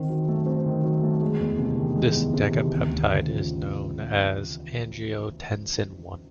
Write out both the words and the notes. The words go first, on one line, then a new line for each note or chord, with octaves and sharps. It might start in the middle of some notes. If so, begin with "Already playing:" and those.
This decapeptide is known as angiotensin I.
Already playing: D#3 C4
F#3
A3
C4
D#3
F#3
A3
G#3
E2
C3
D#3
G#3
E2
C3
D#3
D2
D2
C#3
F3